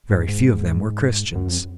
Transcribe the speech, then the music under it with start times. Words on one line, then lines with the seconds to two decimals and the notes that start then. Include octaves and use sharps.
Very few of them were Christians.
0.11 G#2
0.28 G#2
1.35 F#2
1.47 F2